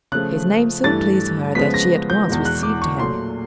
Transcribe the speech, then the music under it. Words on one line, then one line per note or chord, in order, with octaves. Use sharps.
His name so pleased her that she at once received him.
C#3 F3 A3 F#6
G2 E3 A3 A6
C#3 F3 G#3 B3 B6
A#6
G6
E2 B2 G#3
F#6
D6
C#6
A#2 F#3 A3 C6